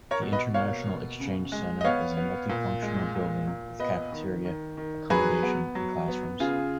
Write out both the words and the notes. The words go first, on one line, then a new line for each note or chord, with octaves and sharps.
The International Exchange Center is a multi-functional building with cafeteria, accommodation and classrooms.
A#4 C#5
B2
B4 D#5
A#3 C#5 F5
B2
C#3
G#3
D#5
B3 C#5 F5
B3
A#2
G#3
A#2
A#2
B3 B4 D#5
D#3
D#3
D#3
F#3 G#4 B4
B3
F#3
B3
C#3 F4 G#4